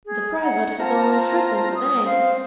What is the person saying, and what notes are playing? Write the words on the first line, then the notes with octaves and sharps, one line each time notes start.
The private had only threepence a day.
G#4
F#5
C4 F4 A5 A#5
D#6
C4 F5